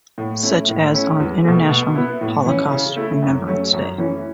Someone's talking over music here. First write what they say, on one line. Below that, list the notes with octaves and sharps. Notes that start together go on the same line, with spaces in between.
Such as on International Holocaust Remembrance Day.
A2
A3 C#4 E4
A2
A3 C#4 E4
E2
B2 A3
B2
B3 E4
A2
E3 C#4
C#3
A3 E4
F#2
F#3 A3 C#4
F#2
E3 A3 C#4